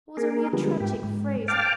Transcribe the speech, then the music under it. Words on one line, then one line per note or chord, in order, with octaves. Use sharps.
That was only a tragic phrase....
A#3 G#4 A#4
D3 F3 G3 G#3 B3
G#2 G4
G#2
F5 G5 A5 D6 F6